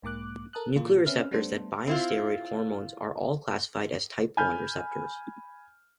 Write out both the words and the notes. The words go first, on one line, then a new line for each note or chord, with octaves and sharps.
Nuclear receptors that bind steroid hormones are all classified as type one receptors.
B1 G#2 A#3 D6 F#6
A4 A#4 A5 D#6 F#6
A#2 E3 A#3 F4
C4 C#4 B4 E5 F6
G3 A3 B3 D4 A4 C5
C4 E4 F4
G#5 B5 F6 G6